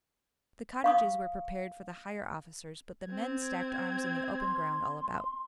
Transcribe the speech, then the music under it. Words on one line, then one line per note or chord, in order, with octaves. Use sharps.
The cottages were prepared for the higher officers, but the men stacked arms in the open ground all about.
F5 C#6 D#6
C4 G#6
C6